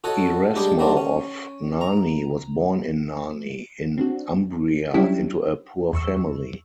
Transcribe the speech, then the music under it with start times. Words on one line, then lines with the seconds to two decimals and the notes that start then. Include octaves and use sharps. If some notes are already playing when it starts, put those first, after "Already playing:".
Erasmo of Narni was born in Narni, in Umbria, into a poor family.
0.04 F#4 A4 C#5 D#5 F#5
0.56 G3 G#3 D4 G4 G#4
0.79 D#3 F#3 G3 A3 C4 D4
0.97 C#4
1.81 A#5
3.98 C4 D4 F#4
4.94 F#3 G3 C#4 D4 E4 G4
5.93 E2 C#6 E6